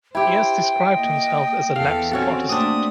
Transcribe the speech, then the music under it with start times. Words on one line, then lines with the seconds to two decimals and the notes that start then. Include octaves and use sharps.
He has described himself as a lapsed Protestant.
0.15 E4 G4 C5 G5
0.96 A#3 D#5
1.76 E2 A4 F5
2.11 C4 C#4 F#4 A4
2.49 A3 A#3 C4 D4 D#6